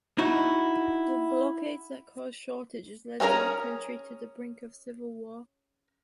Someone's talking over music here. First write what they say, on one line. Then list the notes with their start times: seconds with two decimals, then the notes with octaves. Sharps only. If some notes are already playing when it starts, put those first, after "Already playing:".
The blockades that caused shortages led the country to the brink of civil war.
0.18 D#4 E4 F#4
3.20 C4 C#4 G#4 A#4 A#5